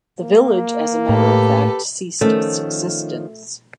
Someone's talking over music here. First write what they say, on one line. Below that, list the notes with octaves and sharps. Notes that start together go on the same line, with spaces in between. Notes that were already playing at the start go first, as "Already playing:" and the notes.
The village, as a matter of fact, ceased its existence.
A#3
A2 G4 A4 B4
D#3 F3 A3 C#4